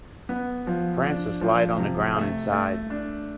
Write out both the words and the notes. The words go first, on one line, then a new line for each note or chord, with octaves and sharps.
Francis lied on the ground and sighed.
B3
F3
D4
F3
C3
A3
A3
D4